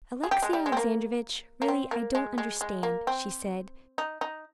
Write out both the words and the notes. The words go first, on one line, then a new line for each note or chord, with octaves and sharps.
"Alexey Alexandrovitch, really I don't understand," she said.
G#4
G4
G#3
G3
G#3
C4
A#3
A#3
C4
A#3
G#3
G#3
G#3
A#3
C4
D#4
D#4